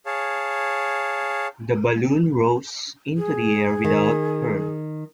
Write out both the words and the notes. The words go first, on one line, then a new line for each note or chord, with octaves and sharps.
The balloon rose into the air without her.
G#4 C#5 F5 A5
G#4
D#3